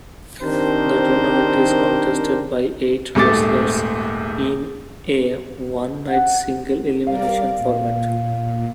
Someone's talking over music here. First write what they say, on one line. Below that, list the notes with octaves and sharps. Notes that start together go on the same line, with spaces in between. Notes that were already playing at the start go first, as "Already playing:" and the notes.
The tournament is contested by eight wrestlers in a one-night single-elimination format.
D#3 C4 D4 G4 A#4 C5
D#1 G#2 A3 D6 A6
F#5
G3 A#4 D5 F5
A#2